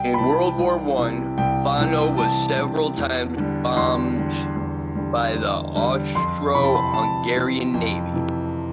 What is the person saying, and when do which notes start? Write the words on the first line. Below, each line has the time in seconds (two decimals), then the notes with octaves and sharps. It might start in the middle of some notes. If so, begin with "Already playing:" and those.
In World War One Fano was several times bombed by the Austro-Hungarian Navy.
Already playing: C2 G5
0.14 B5
0.18 C3 E3 A5
0.58 C2
0.98 C3 E3
1.38 C2 G5
1.78 C3 E3
2.17 C2 A5
2.57 C3 E3
2.97 E2
3.37 D3 G3
3.76 E2 C6
4.16 D3 G3
4.56 E2
4.95 D3 G3
5.35 E2
5.75 D3 G3
6.15 F2 C6
6.55 C3 E3 B5
6.64 A5
6.75 B5
6.94 F2 A5
7.34 C3 E3
7.74 F2
8.14 C3 E3